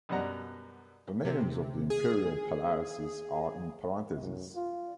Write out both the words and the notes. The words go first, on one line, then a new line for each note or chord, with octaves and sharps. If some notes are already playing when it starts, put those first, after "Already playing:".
The names of the Imperial palaces are in parentheses.
F#2 B2 G3 D4 F#5 A#5
C3
G#4
F#2
F4